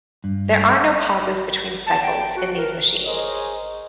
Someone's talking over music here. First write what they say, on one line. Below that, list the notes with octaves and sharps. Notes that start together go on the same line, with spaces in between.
There are no pauses between cycles in these machines.
G2
A5
G5
F#4
A#4
G#4 A#4 C5 C#5 D#5